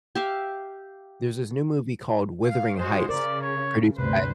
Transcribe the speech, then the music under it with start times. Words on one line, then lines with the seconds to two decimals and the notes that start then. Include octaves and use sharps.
there's this new movie called Wuthering Heights produced by
0.15 G4 E5 F5
2.48 F5
2.78 G#3 F#4 C5
3.09 C#3 A#4 D5
3.42 C#5
3.99 D2 G2 C3 B4 C5